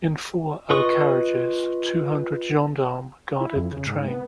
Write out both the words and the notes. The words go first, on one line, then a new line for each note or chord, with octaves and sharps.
In four other carriages, two hundred gendarmes guarded the train.
F4 B4 D#5 C#6 D#6
E4
F2
C#3
G#2
B3